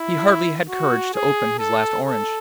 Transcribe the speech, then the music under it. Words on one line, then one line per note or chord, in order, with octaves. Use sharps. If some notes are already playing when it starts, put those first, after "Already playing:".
He hardly had courage to open his last orange.
Already playing: E4
F#4
G#4
A4
A4